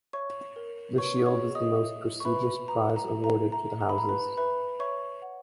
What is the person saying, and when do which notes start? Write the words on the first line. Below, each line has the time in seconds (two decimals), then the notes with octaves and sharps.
The shield is the most prestigious prize awarded to the houses.
0.13 C#5 E5 C#6
0.56 A#4
0.98 B4 C#5 C#6
1.26 C#5 C#6
1.41 G#4
1.55 D#5 D#6
1.83 E5
2.20 C#6
2.25 B4 E5 B5
2.68 B4 A#5
2.96 A#5
3.10 E5
3.24 A#5
3.52 E5 A#5
3.81 A#5
3.89 B5
3.95 E5 A#5
4.09 B4 B5
4.37 B4 E5 B5
4.80 C#5 E5 C#6
5.22 F#5